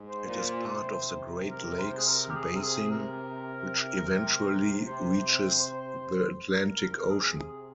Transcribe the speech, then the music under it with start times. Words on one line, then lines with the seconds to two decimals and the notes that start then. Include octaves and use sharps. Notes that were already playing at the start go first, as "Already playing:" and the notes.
It is part of the Great Lakes Basin, which eventually reaches the Atlantic Ocean.
Already playing: G#2
0.10 C5
0.25 A#2
0.67 C3
1.51 A#4
1.79 C5
1.97 G#4
2.07 A#4
2.30 G4
2.35 G#4
2.56 A#4
2.62 G#4
2.91 A#4
4.02 C3
4.86 C5
6.54 C3 A#4
6.82 A#4
7.10 G#4
7.38 G#4